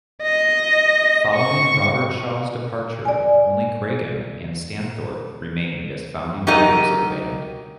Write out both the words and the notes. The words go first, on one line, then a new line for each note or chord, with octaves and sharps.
Following Robertshaw's departure, only Craighan and Stainthorpe remained as founding members of the band.
D#5
C#6
D5 G#5
F#3 D#4 G4 A#4 D#5